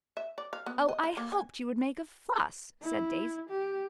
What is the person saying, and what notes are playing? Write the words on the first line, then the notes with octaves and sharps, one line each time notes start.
"Oh, I hoped you would make a fuss!" said Daisy.
E5
D5
F5
B3
D#5
D#4
A#3
G#5
E4
G4